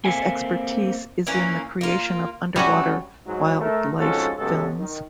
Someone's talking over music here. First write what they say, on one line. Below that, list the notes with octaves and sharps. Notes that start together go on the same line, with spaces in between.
His expertise is in the creation of underwater wildlife films.
A#3 C4 A4 E5 F5 G#5
E3 A#3 C#4
A#3 F4
F#3 G3 A3 C#4 F#4
G#2 F#3
A3 A#4
F2 G#2 F3 C#4 F#4 A4
C#3 F#3 G#3 B3 G4 A4
D#3